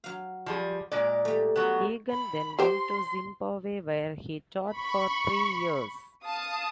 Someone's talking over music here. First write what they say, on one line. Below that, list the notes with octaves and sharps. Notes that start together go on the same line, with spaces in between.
Eggen then went to Zimbabwe, where he taught for three years.
F#3 F5
F3 G3 G#4
A#2 G#3 D5
G3 A3
F#3 B3
B5
G4 C5 G5 C6
B5 C#6
F5 A5 D#6